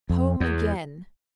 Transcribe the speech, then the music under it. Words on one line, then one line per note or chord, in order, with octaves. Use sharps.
Home again!
F2
E2